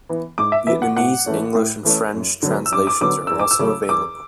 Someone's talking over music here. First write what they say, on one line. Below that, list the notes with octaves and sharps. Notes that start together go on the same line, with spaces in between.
Vietnamese, English, and French translations are also available.
E3 B3
G#2 D6
E5
E3 B3 E5
F#5
A2 F#5
E3 A3 C#4
A2
E3 A3 C#4
F#2
D3 F#3 B3
E6
F#2 D6
D6
D3 F#3 B3 D6
E2 E6
D6
E6
C#3 F#3 A3 C#4
E2 D6